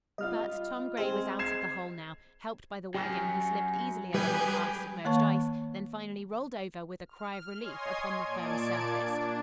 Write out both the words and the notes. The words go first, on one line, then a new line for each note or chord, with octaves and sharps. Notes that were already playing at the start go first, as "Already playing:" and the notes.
But Tom Gray was out of the hole now; helped by the wagon he slipped easily along the half-submerged ice, then finally rolled over with a cry of relief upon the firm surface.
G3 F4 D#5 F6
G#3 C4 G#4
G#6 C7 E7
F#2 G4
G3 G4 G#4 B4 G#5 G6
D#3 A#3 C#5 A5 C#6
F6
C#5 D#5 G#5 C6 D#6 G#6
A#2 D5 A5 G#6 D7
D4